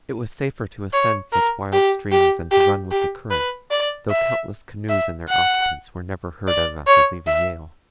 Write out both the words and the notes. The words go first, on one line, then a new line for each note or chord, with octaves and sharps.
It was safer to ascend such wild streams than to run with the current, though countless canoes and their occupants were never heard of after leaving Yale.
C#5
A#4
G4
G4
G4
G4
B4
D5
E5
E5
F#5
D5
C#5
E5